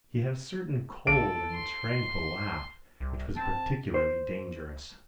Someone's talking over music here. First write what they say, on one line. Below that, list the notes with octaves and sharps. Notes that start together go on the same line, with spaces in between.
He had a certain cold and tranquil laugh, which was particularly dangerous.
A4 D7
C6
C2
C4 A5
C5